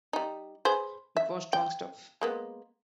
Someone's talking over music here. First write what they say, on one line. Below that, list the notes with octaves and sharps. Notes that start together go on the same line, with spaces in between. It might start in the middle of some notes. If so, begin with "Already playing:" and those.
It was strong stuff.
G3 D#4
G#4 B4 C5
E5
G5
G#3 A#3 B3